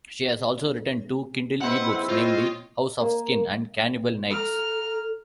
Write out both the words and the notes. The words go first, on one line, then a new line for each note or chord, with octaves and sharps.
She has also written two Kindle eBooks namely "House of Skin" and "Cannibal Nights".
G#3 C4 E4 B4 C5 F#5
F4 C5 C#5 D#5 G5
A#3
A4 A#5 F6